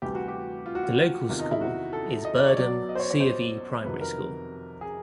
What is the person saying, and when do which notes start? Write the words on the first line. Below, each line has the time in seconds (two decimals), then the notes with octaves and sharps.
The local school is Birdham C of E Primary School.
0.02 D2 C3 E3 G3 G4
0.15 F#4
0.28 G4
0.66 F4
0.75 F#4
0.83 F4
1.29 E2 C3 D#3 F4
1.40 D#4
1.51 E4
1.61 F#4
1.93 A4
2.25 D#5
2.36 D5
2.47 C#5
2.57 B1 B2 F#3 D5
2.89 D#5
2.95 C5
3.00 C#5
3.11 C#5
3.20 C5
3.84 F2 C3 D#3 F#3 B4
4.01 A#4
4.81 G#4